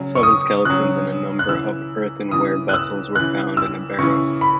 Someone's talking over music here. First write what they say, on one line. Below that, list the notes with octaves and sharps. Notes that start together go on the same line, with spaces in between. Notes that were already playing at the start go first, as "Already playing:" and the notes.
Seven skeletons and a number of earthenware vessels were found in a barrow.
Already playing: C#3 F#3
C#6
D#6
C#3 F#3 F#6
F#6
C#3 E3 E6
C#3 E3 D#6
F#6
E6
C#3 E3 F#6
E6
C#3 E3 C#6
B5